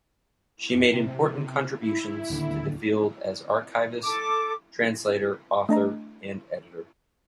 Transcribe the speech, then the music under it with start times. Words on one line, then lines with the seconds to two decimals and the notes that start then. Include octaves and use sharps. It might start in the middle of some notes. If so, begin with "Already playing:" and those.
She made important contributions to the field as archivist, translator, author and editor.
0.74 F#2
0.93 C3
1.83 E4
2.30 D1 D#2 D3
4.03 A4 D6
5.69 A3 D4 D#5 A#5